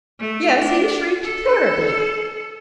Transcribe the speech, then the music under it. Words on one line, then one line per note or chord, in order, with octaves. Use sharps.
Yes, he shrieked terribly!
A3
D4
A4